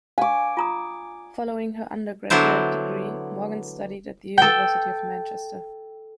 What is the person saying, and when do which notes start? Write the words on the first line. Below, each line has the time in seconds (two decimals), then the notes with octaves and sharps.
Following her undergraduate degree, Morgan studied at the University of Manchester.
0.18 F5 G#5 D6
0.57 F4 A#5 D#6
2.30 D3 F#3 B3 D4 E4 C5
4.38 A4 G5